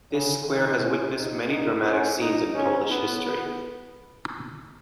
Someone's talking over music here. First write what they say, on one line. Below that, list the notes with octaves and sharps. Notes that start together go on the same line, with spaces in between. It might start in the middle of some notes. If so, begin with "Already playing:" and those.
This square has witnessed many dramatic scenes in Polish history.
C#3
D#3
C#4
D#4
D#4
C#4
D#4
C#4
B3
B3